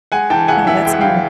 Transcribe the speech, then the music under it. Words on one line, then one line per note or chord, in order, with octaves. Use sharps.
Oh, that's neat
G#3 F#5 G#5
E3 G5 A5
C#2 F#5 G#5
E3 E5 F#5
G#3 G5
F#5
E3 F5 G5